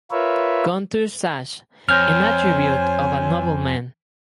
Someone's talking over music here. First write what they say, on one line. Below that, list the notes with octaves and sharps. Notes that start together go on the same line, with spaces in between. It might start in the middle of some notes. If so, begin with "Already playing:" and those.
Kontush Sash an Attribute of a Nobleman.
F4 A#4 B4 C#5 E5
F2 C5 C#5 G#5 F6 G6